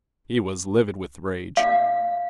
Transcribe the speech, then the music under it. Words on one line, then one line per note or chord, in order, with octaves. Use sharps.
He was livid with rage.
F5